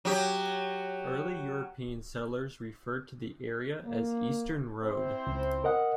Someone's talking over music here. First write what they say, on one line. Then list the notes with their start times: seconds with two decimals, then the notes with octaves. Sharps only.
Early European settlers referred to the area as Eastern Road.
0.05 F#3 G4
3.85 A#3
4.83 C4 E4 C5
5.27 C#2
5.64 A#4 D#5 F#5